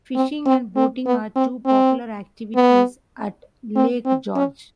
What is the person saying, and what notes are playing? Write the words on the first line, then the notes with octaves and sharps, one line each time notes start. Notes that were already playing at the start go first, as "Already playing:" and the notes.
Fishing and boating are two popular activities at Lake George.
C4
C4
C4
B3
C4
C4
B3
C4
C4
C#4